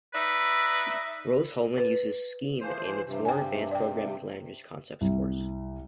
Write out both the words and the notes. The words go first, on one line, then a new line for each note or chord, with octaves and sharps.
Rose-Hulman uses Scheme in its more advanced Programming Language Concepts course.
D#4 B4 D5 E5
B4
E3 F3 C5
G2 C3
G5 G#5
D5 G5
C2